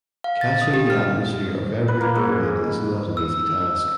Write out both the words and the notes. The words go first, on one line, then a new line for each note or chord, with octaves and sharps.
Catching the atmosphere of every period is not an easy task.
F5
A6
D#6
G4
F6
B4
A#3
G#2
E6